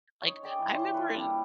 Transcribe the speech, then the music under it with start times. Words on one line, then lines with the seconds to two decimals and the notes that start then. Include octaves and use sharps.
like, I remember i
0.22 D#4 C#5
0.43 G#4 D5 G5 A#5
0.59 E3
0.74 G4 C#5 C6
0.94 F4 A4 B4
1.14 G3 A#3 D4 E4